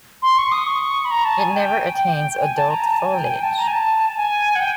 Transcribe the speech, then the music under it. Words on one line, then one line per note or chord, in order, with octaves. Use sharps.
It never attains adult foliage.
C6
C#6
D#6
C#6
B5
A#5
A5
G#5
G5
G5
G#5
A5
A#5
A5
G#5
G5
G#5
G5
A5
A#5
G#5
A5
G#5
F#5
G5